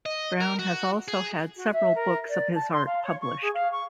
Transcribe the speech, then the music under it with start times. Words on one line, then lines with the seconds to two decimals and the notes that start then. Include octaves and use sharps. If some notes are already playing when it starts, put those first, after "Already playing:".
Brown has also had several books of his art published.
0.06 D#5
0.41 A#4
0.59 F#4
1.08 G#4
1.56 F#4
1.72 E5
1.95 A#4
2.28 D5
2.55 A5
2.72 C6
2.86 F5
3.04 C#5
3.21 C#6
3.41 G#4
3.54 F5
3.71 C#6